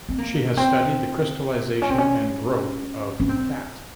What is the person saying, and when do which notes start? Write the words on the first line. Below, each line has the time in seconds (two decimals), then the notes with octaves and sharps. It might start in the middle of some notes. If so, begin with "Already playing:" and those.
She has studied the crystallisation and growth of fat.
0.09 C4
0.18 A#3
0.57 C4
1.82 C#4
1.90 C4
1.98 C#4
3.20 C#4
3.29 C4